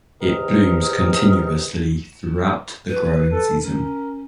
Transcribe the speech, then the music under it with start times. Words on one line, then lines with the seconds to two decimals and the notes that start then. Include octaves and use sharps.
It blooms continuously throughout the growing season.
0.21 E2 C3 D#3 A#4 D#5
2.89 B4
3.32 A4
3.62 C#4 A#4